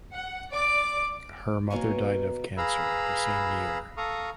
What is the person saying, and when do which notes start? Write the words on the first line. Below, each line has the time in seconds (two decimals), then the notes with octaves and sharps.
Her mother died of cancer the same year.
0.15 F#5
0.52 D5 D6
1.70 B2 A#3 C#5 G#5
2.58 G#4 B4 F5 A#5 B5 E6
3.97 A4 F5 A#5 C#6 D#6